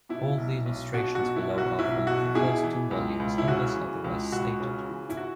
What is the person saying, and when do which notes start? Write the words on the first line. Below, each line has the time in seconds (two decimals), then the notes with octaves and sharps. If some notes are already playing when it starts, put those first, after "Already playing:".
All the illustrations below are from the first two volumes, unless otherwise stated.
0.09 B2 E4
0.38 B1
0.66 B1
0.94 B2 F#4
1.15 F#4
1.23 B2
1.36 E4
1.50 B1
1.58 F#4
1.79 B1 E4
2.07 B2 F#4
2.35 B2 E4 G#4
2.63 E3
2.91 C#2
3.20 C#2
3.38 E4
3.48 C#3 F#4
3.76 E3
4.04 C#2
4.32 C#2 F#4
4.60 C#3
4.89 E3
5.09 E4
5.17 F#4